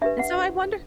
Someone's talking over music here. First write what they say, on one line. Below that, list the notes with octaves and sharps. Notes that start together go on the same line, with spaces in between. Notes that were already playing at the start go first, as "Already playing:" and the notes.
and so I wonder
D4 G4 B4 E5
F#5
D4 G4 C5